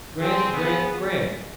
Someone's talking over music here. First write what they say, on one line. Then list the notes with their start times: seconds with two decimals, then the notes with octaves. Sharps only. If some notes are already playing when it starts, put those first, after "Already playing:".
Grant, Grant, Grant!
0.20 C4 G#4
0.51 B3